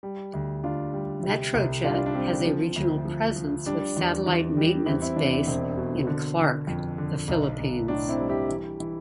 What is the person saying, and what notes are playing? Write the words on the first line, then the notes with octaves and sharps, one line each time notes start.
Metrojet has a regional presence with satellite maintenance base in Clark, The Philippines.
G3
D2
D2 D4 F4
G3
C3
C2
G3 D4 F4
D4
G3 C4
F3
D2
F3
F3
G3 D4
E2
E2
G3
E2 C4 E4
C4 E4
E2 D4
C4 E4
E1 C4
B2
D3
D3
F2
D3
B1
B1
A2 D4
C4 E4
G3
E4 G4
E3
E3